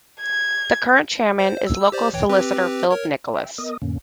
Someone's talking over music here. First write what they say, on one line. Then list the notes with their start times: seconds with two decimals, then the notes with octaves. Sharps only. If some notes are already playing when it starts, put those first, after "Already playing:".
The current Chairman is local solicitor Philip Nicholas.
0.21 G#6
1.39 C5
1.67 E6
1.92 G4 C5 D5
2.13 E3 C#5 G5
2.29 C4 G4 B4
2.91 A#4 C#5
3.34 E5 G5
3.58 B3 A#4 D#5 D#6
3.82 F2 A2 D3 A#3 C#4